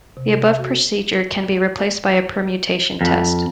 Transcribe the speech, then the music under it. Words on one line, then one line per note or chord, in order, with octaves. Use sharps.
The above procedure can be replaced by a permutation test.
C3
A4
F#4
F2